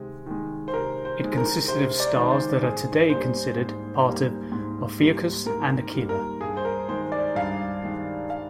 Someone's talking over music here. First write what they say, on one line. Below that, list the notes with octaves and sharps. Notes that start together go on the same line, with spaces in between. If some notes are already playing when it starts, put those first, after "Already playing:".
It consisted of stars that are today considered part of Ophiuchus and Aquila.
Already playing: C3 D#3 G#3
D#3 G#3
C5
C3 A#4
C5
D#3 G#3
A#4
C3 C5
D5
D#3 G#3
C5
G#2 G#4
G3 A#3 C5
G#2
G3 A#3
G#2
G3 A#3
G#2 A#4
G3 A#3
A#4
G2 G#4
C5
A#4
D#3 G#3 C5
D5
G2 F5
D#3 G#3
F5